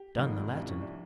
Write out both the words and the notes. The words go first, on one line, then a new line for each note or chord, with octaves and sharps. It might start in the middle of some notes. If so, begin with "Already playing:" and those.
"Done the Latin!"
Already playing: G4
G#1 G#2 F3
C2 C3 F3 D4
C#4
D4